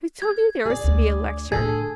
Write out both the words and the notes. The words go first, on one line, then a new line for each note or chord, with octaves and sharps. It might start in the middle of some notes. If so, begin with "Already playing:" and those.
"Who told you there was to be a lecture?"
G#6
G#4 D5
D2
A2 D3 G#4 A4 G#6